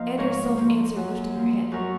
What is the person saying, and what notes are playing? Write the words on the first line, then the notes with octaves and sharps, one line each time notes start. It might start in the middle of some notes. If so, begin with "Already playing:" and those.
Anne herself answered, lifting her head.
Already playing: F3 A#3 D#5 F5
G#2 A#4 C#5
F3 A#3
F#2
F3 A#3
F#2 A#4 C#5